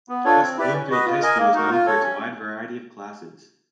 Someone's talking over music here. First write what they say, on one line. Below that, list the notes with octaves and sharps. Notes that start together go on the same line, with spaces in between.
West Bloomfield High School is known for its wide variety of classes.
B3
D4 F4 A4 C#5
C4
E4 G4 B4 D5
C#4
F#4 B4 D#5
F4
A#4 D#5 G#5
A#3
D#4 F#4 A#4
F4
A4 C#5
C#4